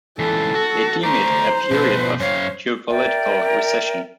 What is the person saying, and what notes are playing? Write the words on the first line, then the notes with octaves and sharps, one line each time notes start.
They deem it "a period of geopolitical recession".
C#2 E3 A4
F#4
A3 C5 D5 A#5
B2 F3 B4
F#2 C#5 F5
A#4 D5 E5 G5